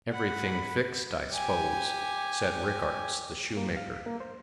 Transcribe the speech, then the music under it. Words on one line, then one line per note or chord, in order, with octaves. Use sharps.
"Everything fixed, I s'pose?" said Rickarts, the shoemaker.
F#5 B5
G4 G#5
A#3
F5
A#3
C5